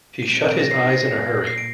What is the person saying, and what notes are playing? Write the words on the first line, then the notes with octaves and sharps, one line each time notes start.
He shut his eyes in a hurry.
D#7
A#2 G3 C4 D#4 D7
D7
A#6
C7
A#2 G3 A#3
C7
D7